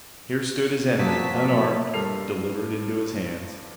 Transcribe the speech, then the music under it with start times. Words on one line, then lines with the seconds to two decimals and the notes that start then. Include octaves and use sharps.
Here stood his enemy, unarmed, delivered into his hands.
0.99 A#2 F3 F#3 A5 B6
1.94 G2 A4 A#4 A5 C7 F7